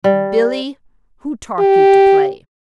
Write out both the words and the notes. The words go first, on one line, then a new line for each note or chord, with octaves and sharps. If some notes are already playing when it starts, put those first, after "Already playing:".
"Billy, who taught you to play?"
G3
G4